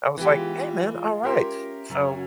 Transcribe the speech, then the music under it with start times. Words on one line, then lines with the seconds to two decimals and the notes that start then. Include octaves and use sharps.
I was like, "Hey man, alright!" So
0.18 E3 G#3 B3 F4 G4
1.24 C#4 G4 A#4 E5 C6
1.90 F#2 C#3 F#3 C#4 F#4 G#5